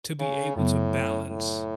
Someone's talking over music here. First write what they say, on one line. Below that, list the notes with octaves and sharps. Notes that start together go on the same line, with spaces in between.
to be able to balance
C#3
F#2 A2 C#3 F#3 B3
A2